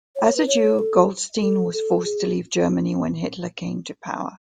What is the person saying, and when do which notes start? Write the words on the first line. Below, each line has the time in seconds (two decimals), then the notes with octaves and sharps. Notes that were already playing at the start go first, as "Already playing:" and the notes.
As a Jew, Goldstein was forced to leave Germany when Hitler came to power.
0.16 C#5
0.36 B4
0.48 C#5
0.79 A4
1.42 A4
1.74 A4
2.04 G#4